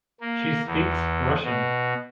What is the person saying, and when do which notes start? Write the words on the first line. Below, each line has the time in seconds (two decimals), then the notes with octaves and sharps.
She speaks Russian.
0.20 A#3
0.66 E2
1.44 B2